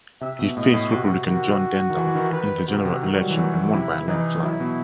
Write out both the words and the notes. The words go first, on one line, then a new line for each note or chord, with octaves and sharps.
He faced Republican John Dendahl in the general election and won by a landslide.
C3 E5
B2
A2 D#5
A2
C3 F#4
D#3 F#4
D#3
E3
E3
D#3
D#3 B4
C3 F#4
C3
D#3
G3
F#3
E3
D#3 F#4
C3 E4
E3 D#4
F#3 E4
B2